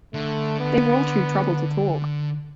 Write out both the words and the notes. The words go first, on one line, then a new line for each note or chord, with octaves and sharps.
They were all too troubled to talk.
D3 A3
B3